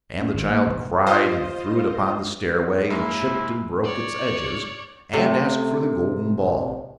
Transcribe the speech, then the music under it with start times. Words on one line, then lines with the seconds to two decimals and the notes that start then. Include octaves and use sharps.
And the child cried and threw it upon the stairway and chipped and broke its edges and asked for the golden ball.
0.21 C#4
0.34 G#1
0.50 A#3
0.67 E1
1.06 F4 C5 D#5
2.90 F#2 G#3 A#3 E4
3.84 C#5 D5
5.13 C3 A3 C#4